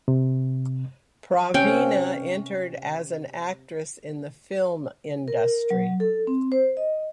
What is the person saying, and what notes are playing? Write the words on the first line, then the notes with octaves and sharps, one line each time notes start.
Praveena entered as an actress in the film industry.
C3
C3 C#4 G5
A#4
F#3
A4
C4
C5
D#5